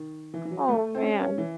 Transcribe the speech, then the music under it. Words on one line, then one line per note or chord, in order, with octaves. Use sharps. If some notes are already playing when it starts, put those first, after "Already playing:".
Oh man.
Already playing: D#3
E3
E3
F#3
A3
C4
C#4
C#4
E3